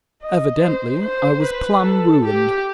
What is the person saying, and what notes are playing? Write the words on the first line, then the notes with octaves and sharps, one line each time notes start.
Evidently I was plumb ruined.
D#5
C5
C5
B4
A4
G4